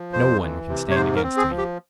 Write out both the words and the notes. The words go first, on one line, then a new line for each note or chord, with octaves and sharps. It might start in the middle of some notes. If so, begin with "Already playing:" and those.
No one can stand against me.
Already playing: F3
F2 C5
E3
C3
C#5
G#2 C5
A#4
C4
G#4
F3
G4